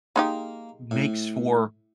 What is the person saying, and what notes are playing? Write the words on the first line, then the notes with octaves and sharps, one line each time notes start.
makes for
G#3 A#3 D#4 G4
A2